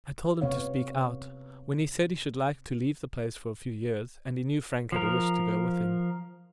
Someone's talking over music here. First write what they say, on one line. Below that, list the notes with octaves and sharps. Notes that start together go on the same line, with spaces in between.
I told him to speak out, when he said he should like to leave the place for a few years, and he knew Frank had a wish to go with him.
C3 B3 C#5 F5
F3 A#4